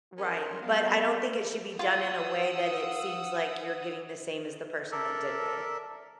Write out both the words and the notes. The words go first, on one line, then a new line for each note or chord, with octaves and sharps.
Right, but I don't think it should be done in a way that it seems like you're getting the same as the person that did win.
C#4 A#4 C5
G3 A#3 B3 F5
F4 F#5 D#6 E6
A4 A#4 D5 E5